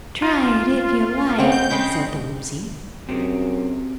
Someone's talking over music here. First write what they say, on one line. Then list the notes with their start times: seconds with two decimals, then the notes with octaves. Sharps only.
"Try it, if you like," said the Woozy.
0.22 F4
1.38 F2 C#3 C4 F#5
1.52 G6
1.70 C#3 G#3 C4
3.09 F#2 C4 G4 G#4